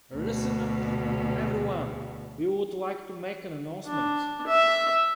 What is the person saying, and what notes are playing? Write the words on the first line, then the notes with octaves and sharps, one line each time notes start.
Listen up everyone, we would like to make an announcement.
D2 B2
D4
E5